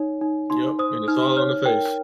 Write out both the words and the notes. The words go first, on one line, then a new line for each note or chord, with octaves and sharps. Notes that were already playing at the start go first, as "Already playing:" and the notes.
Yep, and it's all on the face.
Already playing: D#4 C#5
D#4
D#4 C6
C5 D#6
D#4 F6
C#5 F6
A#4 G5